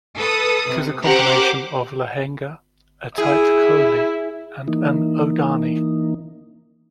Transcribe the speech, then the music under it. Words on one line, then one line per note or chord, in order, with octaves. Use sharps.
It is a combination of "lehenga", a tight "choli" and an "odhani".
A4 B4 D#6
C3
C#4 G4 A#4 C5 F#5 D6
E4 G#4
E3 A#3 D#4